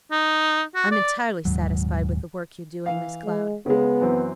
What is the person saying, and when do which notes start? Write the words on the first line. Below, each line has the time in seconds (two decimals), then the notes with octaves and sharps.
I'm entirely satisfied with the work you're doing, Miss Cloud.
0.11 D#4
0.75 F#4
0.92 D5
1.45 D#1 D#2 G#2 F#3
2.86 E3 F5
3.24 G#3
3.66 C#3 G#3 B3
4.01 F#2 E3 C4